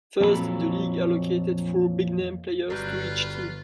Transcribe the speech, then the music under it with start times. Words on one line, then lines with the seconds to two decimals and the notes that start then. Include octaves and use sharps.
First, the league allocated four "big name" players to each team.
0.21 F2 A#2 F#3 F4 A4 B5
2.70 G1 F#3 G3 F4 B4